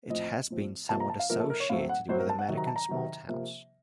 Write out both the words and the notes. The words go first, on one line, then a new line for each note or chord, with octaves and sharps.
It has been somewhat associated with American small towns.
A2 F3 C4 D#5
A2 F3 C4
C3 F3 A#3 A5
A#5
A5
F5
C3 F3 A#3 A#4
A4
A#4
C#5
A2 F#3 A3 C4 F5
F#5
A2 F#3 A3 C4 C5
A#4
A5
F#5
C3 D#3 F#3
A#5
A5
A#5
C3 D#3 F#3
C3 F3 A#3